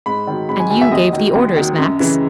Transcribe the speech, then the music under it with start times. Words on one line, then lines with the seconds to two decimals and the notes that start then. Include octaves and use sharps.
'And you gave the orders, Max!
0.06 G#2 B5
0.27 D#3 F#3
0.49 G#2 B5
0.60 G#5
0.70 D#3 F#3 G#5
0.81 E5
0.92 D#2 D#5
1.13 D#3 F#3
1.35 D#2
1.57 D#3 F#3
1.78 F#2
2.00 C#3 E3